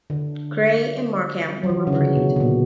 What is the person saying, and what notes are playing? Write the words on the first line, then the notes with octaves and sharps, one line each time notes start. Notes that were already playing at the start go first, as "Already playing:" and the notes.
Grey and Markham were reprieved.
D3
F#3
E3
C#3
D3
B2
B2
A#2